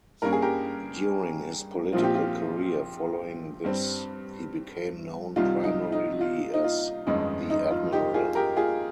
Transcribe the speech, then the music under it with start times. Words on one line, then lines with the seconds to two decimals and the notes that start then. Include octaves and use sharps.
During his political career following this he became known primarily as "the Admiral".
0.22 G2 G3 A#3 C#4 A#4
0.33 G#4
0.42 G4 A#4
1.92 A#1 A#2 F3 C4 F4
2.03 G4
2.15 F4
3.64 G2 G3 C4
5.36 C2 C3 D#3 G3 F4
5.64 D#4
5.92 D#4
6.21 F4
6.54 D#4
6.64 F4
7.07 G1 F2 D#3 G#3 C#4 D#4
7.50 D#4
7.71 F4
7.92 D#4 G4
8.14 F4 G#4
8.35 G4 A#4
8.57 F4 G#4